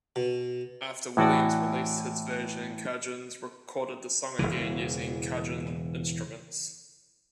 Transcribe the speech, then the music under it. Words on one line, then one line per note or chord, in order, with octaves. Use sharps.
After Williams released his version, Cajuns recorded the song again using Cajun instruments.
B2
A2 E3 F#4 D5
E1 C#2 C#3 E3